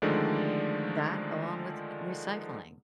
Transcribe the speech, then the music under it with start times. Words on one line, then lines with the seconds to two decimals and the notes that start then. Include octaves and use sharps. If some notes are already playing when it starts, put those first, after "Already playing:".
that along with recycling.
0.02 D3 D#3 F3 G#3 A3 D5